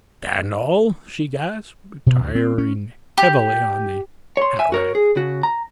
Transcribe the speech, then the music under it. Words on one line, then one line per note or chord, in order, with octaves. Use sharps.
"Dan'el!" she gasped, retiring heavily on the hat-rack.
B2
D2
C4
C#4
G4
C#5 C6
E5 G#5
F#4 A#4 C#5
G#4
C#3 F#4
A#5